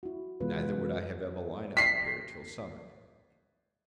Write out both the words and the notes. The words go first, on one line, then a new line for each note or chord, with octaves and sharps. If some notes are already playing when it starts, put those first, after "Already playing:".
Neither would I have Evelina appear till summoned.
E4 F#4
C3 E3 G#3 B3 F4 B4
B6 C7